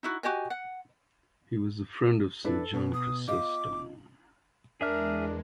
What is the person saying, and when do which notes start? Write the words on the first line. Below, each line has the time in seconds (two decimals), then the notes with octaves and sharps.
He was a friend of Saint John Chrysostom.
0.03 D#4 E4 F#4
0.23 F#4 G4 D#5 G#5
0.50 F#5
2.44 D4 E4 A4 B4
2.74 B2
2.94 D#6
3.28 F4 D#5 D6
4.81 E2 G#3 D4 G#4 A#4 E5 F6